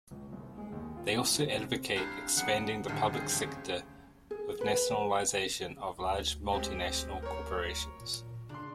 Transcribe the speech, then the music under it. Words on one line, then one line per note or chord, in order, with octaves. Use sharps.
They also advocate expanding the public sector with nationalisation of large multinational corporations.
C#2
C2
G#3
D#2
F4
E4
A1
C3
C4 D4 E4 G4 F5 A#5
C#3 F#3 B3 F#5
A2 D3 D#3 G3 F4
C4 G#4
C#3 A3 G4
G#4
B4
D2
G#3 C4 G4
A#4 C#5
A#2
C#3 D4 C6